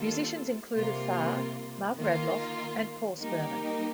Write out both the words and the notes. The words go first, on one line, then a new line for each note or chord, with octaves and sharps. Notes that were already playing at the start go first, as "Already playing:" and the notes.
Musicians included Farr, Mark Radloff and Paul Sperman.
Already playing: D#3 G3 A#3 F4 A4
C3 G3 A#3 F4
D#3 A#3 F4
G3 A#3 D#4 G4